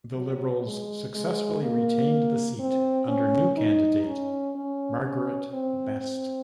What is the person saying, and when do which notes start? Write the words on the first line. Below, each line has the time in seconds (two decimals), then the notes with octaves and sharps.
The Liberals successfully retained the seat under new candidate Margarett Best.
0.17 F#3
0.66 G#3
1.15 G#3
1.62 A#3
2.60 C4
3.08 C#4
3.57 D#4
4.06 C#4
4.55 C#4
5.03 C#4
5.52 C4
6.01 C4